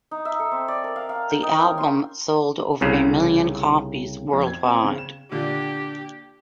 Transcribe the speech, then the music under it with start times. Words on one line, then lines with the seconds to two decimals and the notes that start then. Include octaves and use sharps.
The album sold over a million copies worldwide.
0.11 D#4
0.25 E5
0.39 A4
0.52 C4
0.68 D5
0.84 A#4
0.96 F5
1.09 F5
1.30 G5
1.43 D#4
1.63 C#4
1.78 C6
2.81 C2 C#3
4.33 F2
4.47 G#6
4.64 C4
4.84 C#3
4.98 E7
5.32 A#2 D3 D4 G4